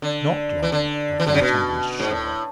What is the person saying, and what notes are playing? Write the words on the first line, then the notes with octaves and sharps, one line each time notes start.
Not long; of that I was sure.
D3
E3
D3
E3
D3
C#3
B2
G#2
A2